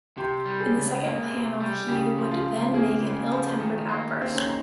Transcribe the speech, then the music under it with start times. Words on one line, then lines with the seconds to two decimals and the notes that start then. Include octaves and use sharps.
In the second panel he would then make an ill-tempered outburst.
0.17 C3 G4
0.46 G3
0.60 G#4
0.75 C#2
1.04 A#3
1.31 C3
1.60 G3
1.88 C#3 G4
2.18 F3
2.31 F4
2.46 C#2
2.74 A#3 G#4
3.02 C#3
3.32 F3
3.60 D#3
3.89 A#3
4.17 D#2 C4
4.33 C#4
4.45 D#4